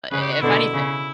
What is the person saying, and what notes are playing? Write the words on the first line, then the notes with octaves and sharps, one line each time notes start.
I if anything.
C#3 B4
G4
F#4
B2 D3 E4
C#3